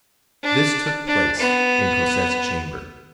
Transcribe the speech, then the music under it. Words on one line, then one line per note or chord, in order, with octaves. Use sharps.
This took place in Cosette's chamber.
D4
D4
B3